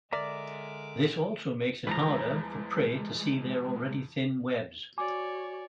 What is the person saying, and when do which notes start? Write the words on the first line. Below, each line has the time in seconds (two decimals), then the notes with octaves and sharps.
This also makes it harder for prey to see their already thin webs.
0.13 D3 G#3 A#4 D5 E5 A#5 D6
1.87 E2 F3 G#3 B4 A#5
4.98 F#4 C#5 D5 G#5 D6